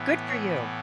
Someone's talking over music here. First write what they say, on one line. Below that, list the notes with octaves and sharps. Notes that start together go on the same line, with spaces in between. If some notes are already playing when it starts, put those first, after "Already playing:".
Good for you.
Already playing: A2 E3 B3
C#5